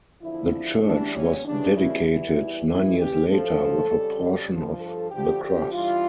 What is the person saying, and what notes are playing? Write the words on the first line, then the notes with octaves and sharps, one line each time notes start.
The church was dedicated nine years later, with a portion of the cross.
E2 D3 F3 E4
E2 E3 G3 D4
C#4
D2 C#3 E3 G3 D4
E4
E2 E3 G3 E4
E2 C#3 E3 E4
G4
A2 F3 A4
F2 C#3 G3
G2 F3
A4
D2 D3 F3 G4
G4
G2 E3 G3 F4